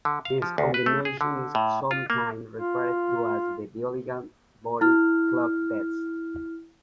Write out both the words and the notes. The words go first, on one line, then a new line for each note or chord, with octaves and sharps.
This combination is sometimes referred to as the Biological Body Clock Test.
D3
F5
F3
D2
B4
A3
G#4
D3
A2
F4
A#3
F4
E4 F6